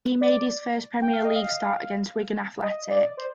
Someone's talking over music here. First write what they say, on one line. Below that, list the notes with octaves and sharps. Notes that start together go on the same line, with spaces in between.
He made his first Premier League start against Wigan Athletic.
D5
G5
F5
D#5
F5
D#5
D5
C5